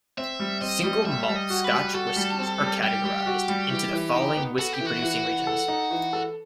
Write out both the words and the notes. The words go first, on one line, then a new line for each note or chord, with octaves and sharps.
Single Malt Scotch whiskies are categorised into the following whisky-producing regions.
C4 E5
G3
C4 D#5
G3
G3 E5
G3 E5
D#5
F#4
B4
G3
F#4 A4
G3
C4
G3
G3 G4
G3
F#4
G3
E3
E3
D#4
B3
F#4 A4
G4
E3
F#4
E3
E3
A4
D#4
E3
A4